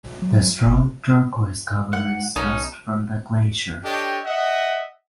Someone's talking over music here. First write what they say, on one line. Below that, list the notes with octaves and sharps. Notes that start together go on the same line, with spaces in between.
The strong turquoise color is dust from the glacier.
F#3
G1
G#2 F#5
B1 C#4 D#4 A5
D4 G4 A4 C#5 D#5 G5
D#5 E5 F#5